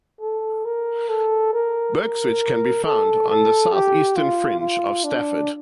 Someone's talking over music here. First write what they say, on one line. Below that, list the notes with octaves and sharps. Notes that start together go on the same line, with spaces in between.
Berkswich can be found on the south-eastern fringe of Stafford.
A4
A#4
A4
A#4
A#4
A4
A4
G4
F4
F4
D4